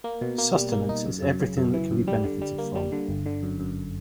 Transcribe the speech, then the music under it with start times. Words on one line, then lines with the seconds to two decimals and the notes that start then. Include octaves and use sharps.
Sustenance is everything that can be benefited from.
0.04 A#3
0.21 B2
0.38 A#3
0.55 G3
0.72 A#3
0.89 D#4
1.06 F#2
1.22 F#2
1.40 C#3
1.57 F#2
1.73 E3
1.91 F#2
2.07 G3
2.25 D3
2.41 G3
2.58 A#3
2.75 G3
2.92 D3
3.09 G1
3.26 D3
3.43 F#2
3.60 F#2